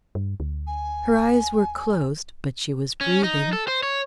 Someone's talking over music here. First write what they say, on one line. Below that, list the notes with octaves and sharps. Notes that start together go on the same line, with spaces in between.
Her eyes were closed, but she was breathing.
G2
D2
G#5
C#4
D#4
A4
C5
C#5